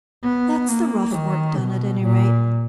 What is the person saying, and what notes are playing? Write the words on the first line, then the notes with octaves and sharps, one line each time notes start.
"That's the rough work done, at any rate."
B3
A#3
D#3
B2
A#2